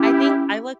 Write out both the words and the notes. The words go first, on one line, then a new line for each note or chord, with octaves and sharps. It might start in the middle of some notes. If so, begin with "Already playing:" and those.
I think I look
Already playing: C#4 E4 G4